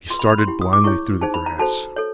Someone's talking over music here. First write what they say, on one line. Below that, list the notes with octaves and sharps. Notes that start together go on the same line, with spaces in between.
He started blindly through the grass.
F4 G#4 B4 C6
B5
B5
C6
C#4 E4 G4
D#6
D6
E4 G#4 C#5 C#6
D#4 G#4 C5 A5
B5
A#5
F#4 A4 C5 A5
A4 C#5